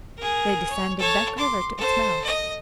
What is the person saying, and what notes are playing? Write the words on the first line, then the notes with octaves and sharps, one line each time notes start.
They descended Back River to its mouth.
G#4 A#4
C#5
A4 C#5
C6 D6
A4 C5
D#5